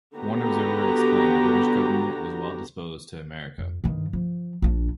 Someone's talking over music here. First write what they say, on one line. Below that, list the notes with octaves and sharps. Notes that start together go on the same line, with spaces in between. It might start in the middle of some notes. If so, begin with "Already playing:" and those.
As one observer explained, the British government was well disposed to America.
D3 B3 F#4 G4 A#5
F2
G2 D#3
F3
A#1 D4